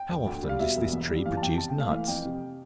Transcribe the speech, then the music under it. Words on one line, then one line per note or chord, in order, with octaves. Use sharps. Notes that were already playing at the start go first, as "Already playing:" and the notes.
How often does this tree produce nuts?
Already playing: G5
E1
D2
G3
F5
B2 E5
E1
E2
G3
E3 F5
A5
E2 G5
C3 A5
G5
A3 F5
E3 F5
F2 G5
C3